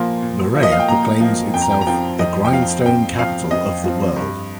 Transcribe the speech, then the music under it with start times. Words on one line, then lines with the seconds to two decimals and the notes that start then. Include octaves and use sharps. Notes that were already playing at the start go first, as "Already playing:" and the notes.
Berea proclaims itself "The Grindstone Capital of the World".
Already playing: A#2 F3 A#3 C6
0.22 A#2
0.55 F3 A#3
0.63 D#5
0.72 F5
0.80 G5
0.88 A#2 A#5
1.20 F3 A#3
1.54 F2 G5
1.62 A#5
1.71 G5
1.81 A#5
1.87 F3 C4 G5
2.19 F2 D#5
2.45 G5
2.52 F3 C4 F5
2.86 F2 G5
3.19 F3 C4 F5
3.51 F2 D#5
3.84 F3 C4
4.16 G2